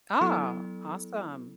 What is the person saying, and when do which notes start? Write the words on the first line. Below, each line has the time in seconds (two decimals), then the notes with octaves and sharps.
Oh, awesome.
0.21 F#3 B3 E4 A4